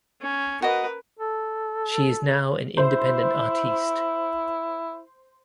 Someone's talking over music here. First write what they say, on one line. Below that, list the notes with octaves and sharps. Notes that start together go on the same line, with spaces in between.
She is now an independent artiste.
C#4
F#4 A#4 B4 D#5
A4
E4 C5